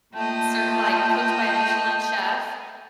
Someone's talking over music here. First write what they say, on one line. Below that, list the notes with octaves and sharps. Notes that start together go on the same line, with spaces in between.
ser like cooked by a Michelin chef
A3 A#3 F4 D#5 G5 A5